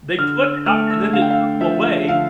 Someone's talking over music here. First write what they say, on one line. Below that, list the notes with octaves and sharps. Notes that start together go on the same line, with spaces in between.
they put it out, and then they took 'em away
D3 F6
E6
A3 F6
E6
D3 F5
G5
F5
F3 E5
D3 F5